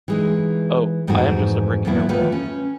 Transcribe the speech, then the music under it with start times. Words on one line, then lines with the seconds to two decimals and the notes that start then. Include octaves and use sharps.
Oh, I am just a brick in your wall.
0.08 E3 G#3 D#4
1.07 F2 G#2 E3 A3 D#4 F#4
1.85 E2 B2 F#3 A#3 B3 E4
2.09 D#3 E3 A3 F4 A4 B4
2.32 C#4